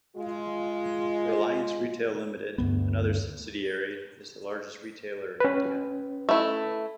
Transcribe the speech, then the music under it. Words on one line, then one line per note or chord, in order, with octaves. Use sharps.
Reliance Retail Limited, another subsidiary, is the largest retailer in India.
G#3 F4
D2 G2 G3 B3
C#4 B4
A3 E4